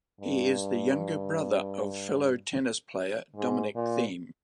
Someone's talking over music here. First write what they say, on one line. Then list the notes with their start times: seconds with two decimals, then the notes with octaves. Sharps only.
He is the younger brother of fellow tennis player Dominic Thiem.
0.21 G2
3.36 G#2
3.75 A#2